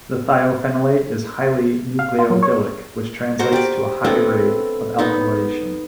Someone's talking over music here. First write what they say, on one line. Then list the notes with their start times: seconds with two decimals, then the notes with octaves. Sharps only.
The thiophenolate is highly nucleophilic, which translates to a high rate of alkylation.
1.99 F5
2.19 F4
2.30 F#3
2.43 C#5
3.39 F#4 A#4 C5
3.52 G4 D5
4.05 A3 B3 C4 D4
4.99 B3 D#4